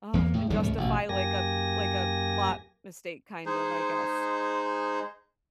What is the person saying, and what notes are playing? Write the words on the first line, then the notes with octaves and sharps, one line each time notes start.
uh, and justify like a like a plot mistake kind of, I guess.
E2 A#3
A2
D#2 G#2 C#3 G3
C#2 A2
A1 B2
F#2 A#3 G4 G#5 A#6
G#3 D#4 G#4 C5